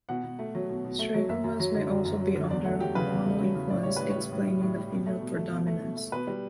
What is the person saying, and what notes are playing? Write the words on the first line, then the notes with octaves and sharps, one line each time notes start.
Syringomas may also be under hormonal influence explaining the female predominance.
B2 F#5
B2
A3
F#3
B2
B2
A3
F#3
F#2 E5
F#2
F#3
D3
F#2
F#2
F#3
D3
E2 D5
A3 F#5
F#3 G4
C#3 B4
E2
A3
F#3
C#3
A2 D5
G3 C#5
A2 B4
C#5
G3
A2
G3
A2
G3
B2
A3
B2
A3
B2
A3
B2
A3
B2 B4
G3